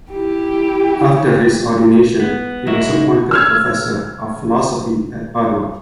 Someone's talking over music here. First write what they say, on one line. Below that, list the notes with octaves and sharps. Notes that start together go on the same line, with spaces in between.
After his ordination he was appointed professor of philosophy at Padua.
E4 G4
B3
F#3 G#3 E4 F#4
C#3 D#4
E6 F6 G#6